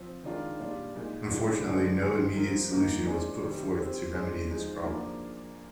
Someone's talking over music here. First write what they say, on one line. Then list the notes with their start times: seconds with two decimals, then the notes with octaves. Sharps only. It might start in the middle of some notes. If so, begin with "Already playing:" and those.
Unfortunately, no immediate solution was put forth to remedy this problem.
Already playing: F3 C4
0.23 D#3 G#3 D4 F4 A#4
0.59 A#2 G3 D4 F4
0.94 A#2 G#3 D#4
1.30 D3 F3 G#3 D4 F4
1.65 D3 G#3 D4 G#4 C5
2.01 D#3 G#3 D#4 G#4 C5
2.36 F3 C4 G4 A#4
2.71 D#3 A#3 D#4
3.07 G#3 D4 G#4 C5
3.42 D#3 G3 C4 G4
3.77 G3 C4 G4 C5
4.13 G#3 D4 G#4 C5
4.49 F3 G#3 D#4
4.84 F3 A#3 D4 G#4